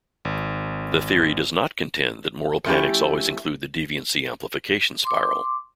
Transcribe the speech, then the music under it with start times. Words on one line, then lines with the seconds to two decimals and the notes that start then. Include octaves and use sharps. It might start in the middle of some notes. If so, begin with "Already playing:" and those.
The theory does not contend that moral panics always include the deviancy amplification spiral.
0.25 G#1
2.65 F3 A3 C#4 D#4 E4 G4
5.05 C6 D6